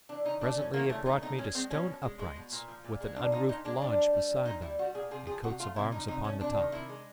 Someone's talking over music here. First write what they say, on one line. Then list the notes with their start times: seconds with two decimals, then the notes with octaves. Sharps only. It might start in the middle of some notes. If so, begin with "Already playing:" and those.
Presently it brought me to stone uprights, with an unroofed lodge beside them, and coats of arms upon the top.
0.09 E3 D4
0.25 C#3 D#4
0.41 A3 D4
0.57 C#3 C#4
0.73 E3 A#3
0.89 C#3 A3
1.06 A3 D#4
1.22 B2 D#4
1.39 G#3 C#4
1.54 G#3 C4
1.71 B2 C#4
1.87 B2
2.03 G#3
2.19 G#3
2.36 B2
2.52 A#2
2.68 F3
2.84 A#2
3.01 G#3
3.16 A#2 D4
3.32 F3 D#4
3.49 A#2 D#4
3.65 G#3 D4
3.82 A#2 D4
3.98 G3
4.14 G3
4.31 A#2
4.46 A#2 D#4
4.62 G3 E4
4.78 G3 F#4
4.95 A#2 G#4
5.11 C3 G#4
5.27 F3 G#4
5.43 C3 F#4
5.59 A3 F4
5.76 C3 E4
5.91 F3 D#4
6.08 C3 D#4
6.24 A3 C#4
6.41 C3 D4
6.57 D#3
6.72 C3 E4
6.89 G#3